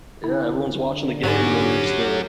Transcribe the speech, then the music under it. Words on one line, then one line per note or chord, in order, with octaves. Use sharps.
Yeah, everyone's watching the game, and then you're just, uh,
D3 E4
G#2 F#3 C#4 G4